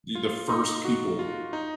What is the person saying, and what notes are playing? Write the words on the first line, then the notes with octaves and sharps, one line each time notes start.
e the first people
F4
D#4
F#4
F4
D#4